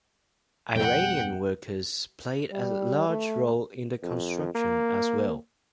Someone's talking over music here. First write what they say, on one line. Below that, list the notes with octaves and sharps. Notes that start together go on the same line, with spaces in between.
Iranian workers played a large role in the construction as well.
F2 B2 G#3 F#5 G5
G3
A3
F2
A#3